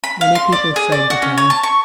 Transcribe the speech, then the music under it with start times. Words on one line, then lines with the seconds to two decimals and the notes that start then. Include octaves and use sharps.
Many people fled the town.
0.04 B5
0.21 F5
0.35 C6
0.53 D5
0.76 G#4
0.92 D5
1.10 F#4
1.22 C#4
1.38 C#5
1.50 A5
1.63 C#6